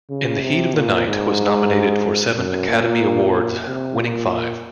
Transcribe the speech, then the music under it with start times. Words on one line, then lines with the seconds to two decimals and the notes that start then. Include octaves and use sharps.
"In the Heat of the Night" was nominated for seven Academy Awards, winning five.
0.10 C#3
0.42 C3
0.74 A#2
1.07 G#2
2.37 F#2
2.68 A#2
3.67 C3
3.99 A#2